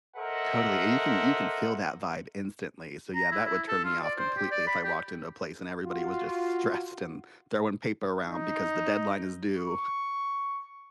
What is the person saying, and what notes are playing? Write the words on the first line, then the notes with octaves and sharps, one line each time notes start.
Totally, you can you can feel that vibe instantly, so, yeah, that would turn me off completely if I walked into a place and everybody was just stressed, and throwing paper around because the deadline is due.
A4 A#4 C5 D#5 E5 F#5
A#5
E4
E4
A4
F4
D5
C5
G4
D5
B5
G4
F4 F#4
D#4
C#6